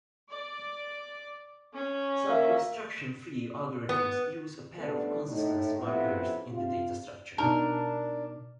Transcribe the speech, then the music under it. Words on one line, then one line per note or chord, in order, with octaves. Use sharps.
Some obstruction-free algorithms use a pair of "consistency markers" in the data structure.
D5
C#4
A#3 E5
B3
G3 A3 B3 C#4 D4 A4
A2 D#4
F2 C3 B3 C#4 E4 F4
C3 F4
B2 D4 D#4 A#4 A5